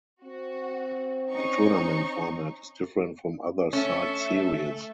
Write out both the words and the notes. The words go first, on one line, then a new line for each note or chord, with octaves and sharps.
The tournament format is different from other side series.
C4 F#4
C#4 D#4 C#6
A3 C#4 A4 E5